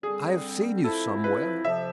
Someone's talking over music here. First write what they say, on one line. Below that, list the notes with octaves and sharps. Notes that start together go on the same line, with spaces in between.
"I have seen you somewhere."
D3 G3 C4 G#4
F3 A3 C4 E4 A4
B4
F2 C3 F3 E5